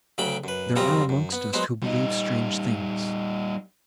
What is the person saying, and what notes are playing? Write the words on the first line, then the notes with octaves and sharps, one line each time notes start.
There are amongst us, who believe strange things.
D2 C#3 F#3 G5 B5 D6
F#2 B4
F#2 C#3 G3 C4 F4 A#5
F#2
B3
F#3 G#3 B3 C5
G3 D#4